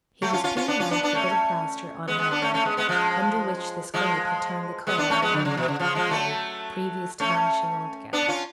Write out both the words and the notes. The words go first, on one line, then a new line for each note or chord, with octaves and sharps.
He was peeling off the bit of plaster on her arm, under which the scrape had turned the color of an unripe blackberry previous to vanishing altogether.
F#3 A3
C#4 F4
C#4 F4
C#4 F4
B3 D4
C#4 F4
B3 D4
B3 D4
A3 C#4
G#3 B3
G#3 B3
B3 D4
A3 C#4
A3 C#4
G#3 B3
G#3 B3
F3 G#3
F3 G#3
G#3 B3
B3 D4
A3 C#4
G#3 B3
D3
C#3
B2
C#3
C#3 F3
F3 G#3
F#3 A3
A3 C#4
B3 D4
C#4 F4